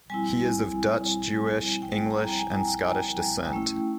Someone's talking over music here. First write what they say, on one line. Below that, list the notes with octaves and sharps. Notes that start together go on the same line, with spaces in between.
He is of Dutch-Jewish, English, and Scottish descent.
G3 C4 E4 G#5
G5
A#5
G#5
G5
A3 C#4 E4